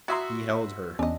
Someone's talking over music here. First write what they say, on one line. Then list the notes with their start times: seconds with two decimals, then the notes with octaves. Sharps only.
He held her.
0.08 E4 F#4 E5 A#5 C6 D#6 G#6
0.99 E2 C#4 D4 D#5